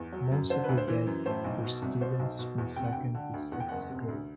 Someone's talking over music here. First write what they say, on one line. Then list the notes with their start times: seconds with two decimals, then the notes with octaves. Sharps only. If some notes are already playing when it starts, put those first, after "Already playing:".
Most of the dead were students from second to sixth grade.
Already playing: E2
0.12 F#3
0.32 F#2
0.50 D3 C5
0.64 D2 B4
0.77 C5
0.88 E3
1.07 F#2
1.26 A2 C5
1.44 B1
1.64 B2
1.82 C2
2.01 B2 C5
2.20 B1
2.39 B2
2.58 E2
2.76 C3 G5
2.84 F#5
2.92 D2 G5
3.14 D3
3.34 D2
3.52 E2 F#5
3.60 G5
3.69 F#1 F#5
3.90 C3
4.08 D2